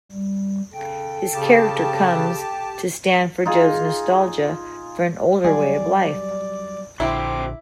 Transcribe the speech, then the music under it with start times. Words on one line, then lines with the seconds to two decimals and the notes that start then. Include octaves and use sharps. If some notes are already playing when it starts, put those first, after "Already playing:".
His character comes to stand for Joe's nostalgia for an older way of life.
0.11 G3
0.74 C#3 A4 G5
1.32 C#3 G4 A5
3.46 D#4 F4 G#4
5.44 F#3 G3 G#4 D5
7.00 A#1 D3 E4 F#4 C5 G5 D6